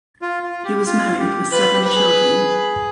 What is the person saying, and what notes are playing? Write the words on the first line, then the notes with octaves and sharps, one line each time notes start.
He was married with seven children.
F4
F4
G4
F4
G4
F4 B4
G4
B4
G#4